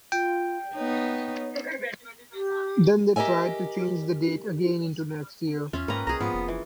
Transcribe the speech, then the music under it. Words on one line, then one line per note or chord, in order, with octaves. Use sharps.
Then they tried to change the date again into next year.
F4 G5
B3 D#4 C#5
G4
G4 A#4 D#5 E5 G#5
E2 C#4 F4 E5
G#2 A#3 C4 C#4 B4 A#5
C2 G#4 D#5 A#5
G#2 F3 B3 F4
F1
E3